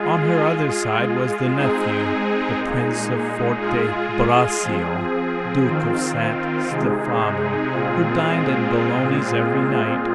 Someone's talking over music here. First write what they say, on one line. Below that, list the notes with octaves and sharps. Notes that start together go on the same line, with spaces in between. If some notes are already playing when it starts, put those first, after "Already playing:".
On her other side was the nephew, the Prince of Forte-Braccio, Duke of San Stefano, who dined at Belloni's every night.
Already playing: G#3 F4 G#4
G#3 F4 G#4
G#3 C4 D#4 G#4
A#2 G#3 D#4 G#4
G#3 F4 G#4
F3 C4 G#4
D#3 C4 F4
C3 G#3 D#4 G#4
A#2 G#3 C4 F4 G#4